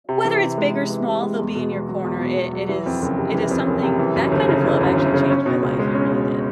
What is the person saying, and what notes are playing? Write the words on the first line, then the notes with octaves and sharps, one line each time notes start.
whether it's big or small, they'll be in your corner. It it is it is something that kind of love actually changed my life. It really did,
C3
E3
C3
G#3
C3
E3
C3
G#3
E2
B2
E2
F#3
E2
B2
E2
F#3
E3
F2
F#1
C3
E3
F2
F#1
C3
E3
F#2
G1
C#3
E3
F#2
G1
C#3
C#4
B2
C#2
G#3
C#4
B2